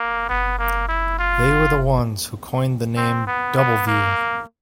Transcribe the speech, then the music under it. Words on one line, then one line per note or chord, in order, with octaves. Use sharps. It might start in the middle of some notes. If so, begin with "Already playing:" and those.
They were the ones who coined the name 'Doubleview.
Already playing: A#3
B3
A#3
E4
F4
C4
B3
B3
A#3